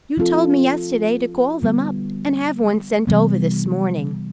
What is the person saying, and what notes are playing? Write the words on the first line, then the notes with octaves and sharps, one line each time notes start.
"You told me yesterday to call them up and have one sent over this morning."
F3 C4 F4 A4
D3 G3 B3
C3 E3 G3 B3